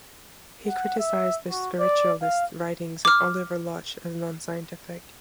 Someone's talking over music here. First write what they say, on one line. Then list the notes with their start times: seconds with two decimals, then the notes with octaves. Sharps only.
He criticised the spiritualist writings of Oliver Lodge as non-scientific.
0.68 F#5
0.99 E5
1.51 F#4
1.80 D5
2.22 F5
3.05 D6 F6